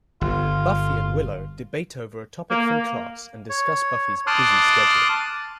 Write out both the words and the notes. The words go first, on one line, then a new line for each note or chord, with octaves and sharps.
Buffy and Willow debate over a topic from class and discuss Buffy's busy schedule.
G1 F4
A#3
C#5
A5 C6 D6 D#6 F6 F#6